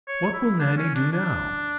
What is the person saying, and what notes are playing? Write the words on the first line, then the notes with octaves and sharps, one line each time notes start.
What will Nannie do now?
C#5
E4
D4
C#4
D4
D4